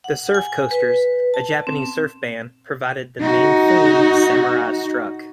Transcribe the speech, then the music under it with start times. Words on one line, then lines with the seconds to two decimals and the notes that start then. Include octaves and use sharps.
The Surf Coasters, a Japanese surf band, provided the main theme, "Samurai Struck".
0.04 F#5
0.34 G#5
0.71 B4
1.34 A5
1.67 C4
3.20 D#4 F#4